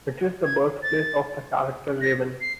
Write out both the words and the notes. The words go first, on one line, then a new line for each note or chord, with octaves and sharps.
It is the birthplace of the character Raven.
G#6
A6
A#6
C7